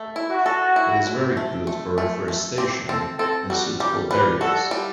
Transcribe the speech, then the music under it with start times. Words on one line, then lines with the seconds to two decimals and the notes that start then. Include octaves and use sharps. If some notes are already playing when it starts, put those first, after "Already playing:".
It is very good for reforestation in suitable areas.
Already playing: A3
0.16 E4
0.30 F#4
0.46 A4
0.76 E4
1.07 E4
1.37 A3
1.67 A3
1.98 A3
2.28 A3
2.58 C4 G4
2.89 C4 A4
3.19 C4 A4
3.50 G3 F#4
3.80 G3 G4
4.11 G3 B4
4.41 F#4 A4
4.71 G3